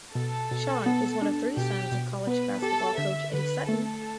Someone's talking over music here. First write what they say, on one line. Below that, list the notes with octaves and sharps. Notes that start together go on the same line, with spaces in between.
Sean is one of three sons of college basketball coach Eddie Sutton.
B2 A4
B2
B3
D4
B2 G4
B2
B3 B4
G4 A4
D3 E5
D3 B4
A3 A4